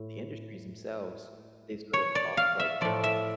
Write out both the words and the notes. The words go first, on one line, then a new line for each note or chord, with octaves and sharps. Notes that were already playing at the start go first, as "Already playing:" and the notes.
the industries themselves, they've sort of lost, like,
Already playing: A2
C#5
D5
F5
E5
A2 F3 D5
E5